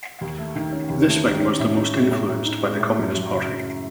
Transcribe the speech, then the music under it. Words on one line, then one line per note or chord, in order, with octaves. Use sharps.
This wing was the most influenced by the Communist Party.
D#2
A3
D#3
C#4
D#2
A3
D#3
C#4
A2
D#4
G#3
A2
A2
D#4
G#3
A2
F#2
F#3
C#3
F#2